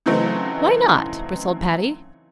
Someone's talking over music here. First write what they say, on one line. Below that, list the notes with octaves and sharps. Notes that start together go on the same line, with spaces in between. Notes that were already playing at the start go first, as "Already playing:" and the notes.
"Why not?" bristled Patty.
C#3 E3 F#3 A3 C4 D#4